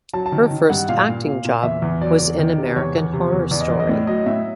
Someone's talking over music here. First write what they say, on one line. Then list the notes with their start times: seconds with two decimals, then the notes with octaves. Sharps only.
Her first acting job was in "American Horror Story".
0.13 F#3 A5
0.26 A5
0.32 D#3
0.51 D#3
0.70 G2 F#5
0.89 A#2 F5
1.08 A#2
1.26 A#2
1.45 A#2
1.63 E2 E5
1.82 E2
2.01 F#3 D5
2.20 E2
2.38 D#3
2.58 C3
2.76 E2 C#5
2.95 E2
3.13 C3
3.33 E2
3.51 E2 D5
3.61 D#5
3.70 E2 D5
3.80 D#5
3.88 A2 D5
4.07 F#3 D#5
4.26 A2 E5